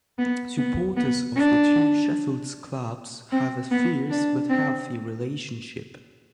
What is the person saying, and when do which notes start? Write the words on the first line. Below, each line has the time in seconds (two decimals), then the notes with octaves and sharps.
Supporters of the two Sheffield clubs have a fierce but healthy relationship.
0.18 B3
0.57 B3
0.96 B3
1.36 D4
3.32 C4
3.71 B3
4.10 D4
4.49 C4